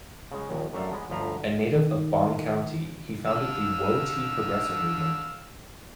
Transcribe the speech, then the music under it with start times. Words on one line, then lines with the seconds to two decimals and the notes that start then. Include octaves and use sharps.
A native of Bong County, he founded the Woah-Tee Progressive Movement.
0.31 C#3 G#3
0.49 A#1 D#2
0.73 F#2 A3 D4 A4 F5
0.92 G#3 B3
1.10 G1 D2 F3 B4 F5 A#5
1.74 D#3
3.26 D3 F5 E6